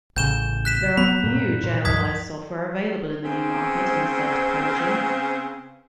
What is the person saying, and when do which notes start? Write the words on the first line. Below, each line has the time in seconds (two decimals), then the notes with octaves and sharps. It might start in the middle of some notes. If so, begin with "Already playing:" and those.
There are few generalized software available in the new market in the said topology.
0.16 A1 C#3 G6 E7 G7
0.65 F#6 B6 E7
0.97 F#3 B3 B5
1.24 F#2 A#2
1.64 A#2
1.85 C#2 G2 F3 D#6 G#6 B6
3.24 C#3 B3 C4